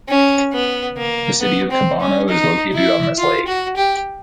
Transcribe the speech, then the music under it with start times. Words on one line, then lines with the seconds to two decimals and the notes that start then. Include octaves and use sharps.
The city of Cabano is located on this lake.
0.08 C#4
0.53 B3
0.97 A#3
1.41 B3
1.71 C4
2.00 C#4
2.29 D#4
2.73 E4
3.18 F4
3.47 F#4
3.76 G4